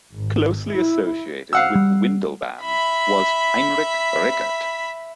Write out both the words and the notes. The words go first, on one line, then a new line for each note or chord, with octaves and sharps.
Closely associated with Windelband was Heinrich Rickert.
G#1
E4
F5 F#5 E6
G3
E5 B5